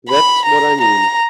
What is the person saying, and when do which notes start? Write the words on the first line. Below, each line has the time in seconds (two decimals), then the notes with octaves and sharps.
That's what I mean.
0.10 B5
0.45 A#5
0.81 A#5